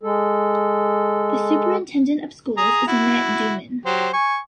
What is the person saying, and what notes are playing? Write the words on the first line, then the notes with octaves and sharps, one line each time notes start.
The Superintendent of Schools is Annette Deuman.
G#3 A4
G#4 A#5 D#6
E4 F#4
F#3 G4 C5
G#5 C#6